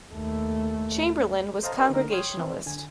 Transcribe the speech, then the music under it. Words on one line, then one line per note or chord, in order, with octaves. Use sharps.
Chamberlain was Congregationalist.
D#2 A3
A4 C5 D#5 F5 A5 A#5
G4 A#4 B4 D5 D#5
D3 A#3 D#4 A#4
C#5 G5 C6 D#6 F6 G#6
E3 C4
D3 G#5